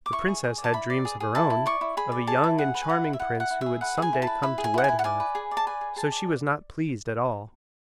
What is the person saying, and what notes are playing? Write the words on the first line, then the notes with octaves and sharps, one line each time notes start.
The princess had dreams of her own of a young and charming prince who would some day come to wed her, so she was not pleased at all.
D6
E4 C#6
G#4
G#4
D5
A5
E4 B5
D5
G#4
G#4
E4 A5
E4
D5 C#6
E4
G#4 B5
D5
G#4 A5
E4
G#4 F#5
B4
G#5
E4 F#5
E4
E5
E4 F#5
E4
F#5
E4
E5
G#4
B4 F#5
G#4
G#5
E4
A5
B4
E4 B5
G#4
G#5
E4 F#5
E4 G#5
F#5
D5 G#5
B4
G#4
D5
A5
B4 G#5
G#4
G#4 A5
D5